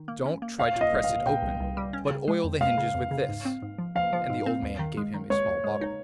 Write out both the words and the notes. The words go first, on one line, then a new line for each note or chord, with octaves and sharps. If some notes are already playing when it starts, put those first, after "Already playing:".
Don't try to press it open, but oil the hinges with this,' and the old man gave him a small bottle.
Already playing: D#3
A#3
C#4
A#3
A#2 F5
A#2 D#5
C2
F5
A#2
A#2 G5
C2
C2
G3
C#4
C#3
G#3
F2
G#3 F5
C#3
F2
C#3
G#2
C4
G#2
F3
F3 F5
F3
G#2
C4
D#2
D#3
G#3
D#3
G#3 C#5
D#2
G#3
D#4